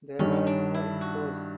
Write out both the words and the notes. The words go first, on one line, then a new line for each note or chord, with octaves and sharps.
There are no inflows.
G2 D#3 G3 C#4
D4
E4
F#4